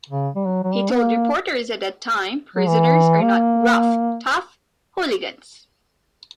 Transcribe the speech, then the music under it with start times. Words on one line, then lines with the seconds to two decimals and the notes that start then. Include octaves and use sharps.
He told reporters at the time, Prisoners are not rough, tough hooligans.
0.09 C#3
0.35 G3
0.46 F#3
0.64 F#3
0.73 G3
0.91 B3
1.01 A#3
2.56 F#3
2.67 E3
3.22 A#3